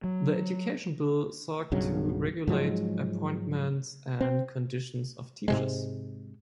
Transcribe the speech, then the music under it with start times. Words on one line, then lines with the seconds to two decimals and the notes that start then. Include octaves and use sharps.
The Education Bill sought to regulate appointments and conditions of teachers.
0.04 F#3
1.72 B1 G2 C#3 F#3
2.47 G#2 F3 F#3 G#3
4.21 C4
5.48 G#2 C3 G#3